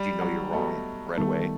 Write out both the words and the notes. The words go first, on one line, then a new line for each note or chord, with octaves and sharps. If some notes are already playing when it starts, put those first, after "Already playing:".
do you know you're wrong right away?
Already playing: G3
F#3
A3 B3 F#4 A4 D#5
D#3 G3 A3 B3 D#4